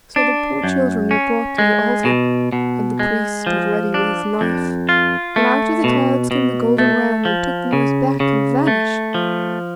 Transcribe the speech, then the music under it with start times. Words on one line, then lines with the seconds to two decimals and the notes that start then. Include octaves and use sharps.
So the poor children were brought to the altar, and the priest stood ready with his knife, when out of the clouds came the Golden Ram, and took them on his back, and vanished.
0.16 D4
0.64 F#2
1.11 C#4
1.58 G#3
2.05 B2
2.52 B2
2.99 G#3
3.47 F3
3.94 D4
4.41 F2
4.89 F4
5.36 A3
5.84 B2
6.31 B2
6.78 A3
7.25 F3
7.73 C#3
8.20 C#3
8.67 A3
9.15 F3